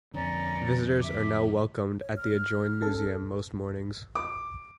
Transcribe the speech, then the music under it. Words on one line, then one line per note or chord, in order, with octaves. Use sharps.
Visitors are now welcomed at the adjoined museum most mornings.
F2 D3 C#4 D5 A#5
E5 D6
C#5
F6
C#4 A4
D6